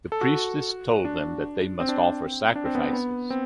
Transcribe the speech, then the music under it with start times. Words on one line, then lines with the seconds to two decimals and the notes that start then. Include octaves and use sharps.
The priestess told them that they must offer sacrifices.
0.12 A4
0.21 F#4
1.05 D4
1.80 C4
1.89 D4
1.99 C4
2.56 D4
2.65 C4
2.75 B3
2.93 B3
3.30 C4